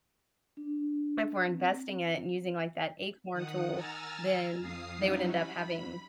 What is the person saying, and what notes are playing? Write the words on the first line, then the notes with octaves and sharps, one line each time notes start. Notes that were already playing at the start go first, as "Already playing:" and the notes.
if we're investing it and using like that acorn tool, then they would end up having
D4
C4
D#3 F#5 D#6
G#5 A#5 E6 F6 A6
F2 F5 D#6 C7
F#3 G3 C#4 D#4 E4 F#4
B5